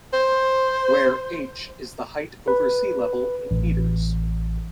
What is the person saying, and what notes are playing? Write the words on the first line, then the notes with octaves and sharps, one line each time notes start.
Where "h" is the height over sea level in meters.
C5
B4
A1